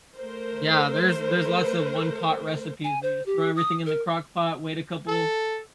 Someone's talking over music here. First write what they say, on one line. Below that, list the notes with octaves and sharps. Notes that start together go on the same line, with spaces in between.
Yeah. There's there's lots of one-pot recipes where you just throw everything in the crockpot, wait a couple
A3 A#4 C5
G#5
C5
G4
D#6
A#4
A4